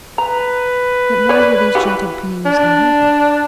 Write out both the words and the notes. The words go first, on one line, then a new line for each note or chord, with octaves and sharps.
Yet why were these gentle beings unhappy?
B4 A#5
C#5 D5
E3 F#4 G4
D4